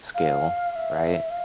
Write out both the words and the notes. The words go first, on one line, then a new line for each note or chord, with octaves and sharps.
skill, right?
F5
F5
E5
F5